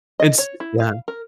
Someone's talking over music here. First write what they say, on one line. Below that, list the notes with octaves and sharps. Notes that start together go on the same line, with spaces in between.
It's yeah.
D#5
C#5
E4
F5
A#4